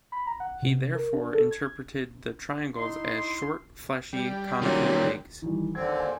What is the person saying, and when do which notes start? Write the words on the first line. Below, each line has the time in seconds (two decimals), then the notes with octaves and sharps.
He therefore interpreted the "triangles" as short, fleshy, conical legs.
0.12 B5
0.27 A#5
0.40 F#5
0.62 C3
0.95 A#4
1.14 D4
1.34 A4
1.51 G#6
2.77 D#4 E4 C6
4.13 G3
4.62 A#2 D#3 F#3 C#4
5.42 D#3 E3 G3
5.75 D#2 D3 C4 G#6
6.00 D5 G#5